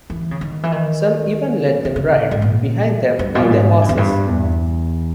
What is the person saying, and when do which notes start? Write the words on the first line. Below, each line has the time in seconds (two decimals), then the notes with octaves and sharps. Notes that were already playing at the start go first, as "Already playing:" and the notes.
Some even let them ride behind them on their horses.
0.10 E3
0.31 C#3
0.41 D#3
0.63 E3
0.72 D#3
1.85 D#3
1.96 C#3
2.31 G#2
2.42 A#2
3.19 G2
3.35 B2
3.43 A#2
3.51 G#2
3.82 G2
3.89 E2
3.97 G2
4.28 E2